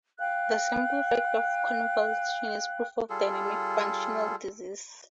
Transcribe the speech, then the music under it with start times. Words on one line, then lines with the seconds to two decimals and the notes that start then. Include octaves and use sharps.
The simple fact of convulsion is proof of dynamic functional disease.
0.19 F5 G5 F#6
3.10 G3 F4 G#4 A4